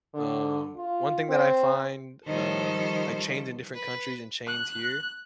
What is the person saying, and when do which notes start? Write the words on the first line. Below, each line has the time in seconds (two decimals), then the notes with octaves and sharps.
Um, one thing that I find, uh like, chains in different countries and chains here
0.14 D3
0.77 F4
1.29 C4
2.25 D#3 F3 G3 A4 C5
3.74 B4
4.47 F#6